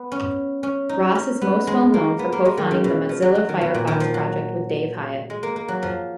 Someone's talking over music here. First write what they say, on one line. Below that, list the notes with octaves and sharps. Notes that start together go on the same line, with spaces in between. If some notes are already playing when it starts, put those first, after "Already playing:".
Ross is most well known for co-founding the Mozilla Firefox project with Dave Hyatt.
Already playing: B3
C#4
C#4
D#4
C#4
B3
G#3
A#3
B3
A#3
G#3
D#3
C#3
B2
F3
F#3
F#3
D#3
B2
A#2
D#3
F3
F#3
G#3
A#3
A#3
F#3
F3